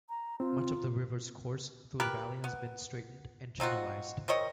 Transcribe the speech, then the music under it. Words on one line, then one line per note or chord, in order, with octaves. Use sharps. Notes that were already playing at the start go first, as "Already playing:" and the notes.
Much of the river's course through the valley has been straightened and channelized.
A#5
C4 F4
G4 A#4 B4
B3
C4 D#4 F4 F#4
C4 A#4 C#5 D#5